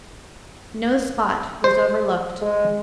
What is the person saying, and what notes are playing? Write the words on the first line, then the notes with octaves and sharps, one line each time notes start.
No spot was overlooked.
C5
G#3